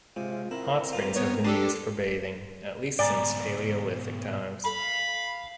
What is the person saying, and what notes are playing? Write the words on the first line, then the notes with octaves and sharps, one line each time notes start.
Hot springs have been used for bathing at least since Paleolithic times.
C3 G#3 F4
C4 E4 A#4
G2 A3 F4
B3 C#5
D4 G4 A4 D5 C6 D#6
G#2 B2 C5 D5 G#5 A#5
A4 F5 B5